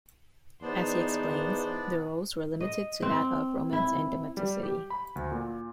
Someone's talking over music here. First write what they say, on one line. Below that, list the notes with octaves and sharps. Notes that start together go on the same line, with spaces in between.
As he explains, their roles were limited to that of romance and domesticity.
E2 B3 D4 D#4 C5 D5
D#5
C4
E4
G3
G4
B5
D2
A#2